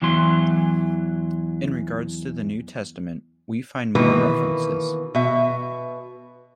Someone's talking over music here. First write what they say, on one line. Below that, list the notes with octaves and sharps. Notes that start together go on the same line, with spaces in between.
In regards to the New Testament we find more references.
E2 E3 F#3 C6
B2 D#3 E3 A#3 B4
B2 E5